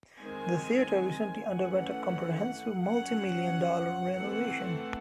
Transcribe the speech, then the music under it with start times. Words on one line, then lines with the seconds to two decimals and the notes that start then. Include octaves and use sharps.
The theatre recently underwent a comprehensive multimillion-dollar renovation.
0.20 D#3 G#3 C4 G#5
1.52 E3 A3 C#4 F#5
2.83 F#3 C#4 F#5
4.15 E3 A3 C4 F#5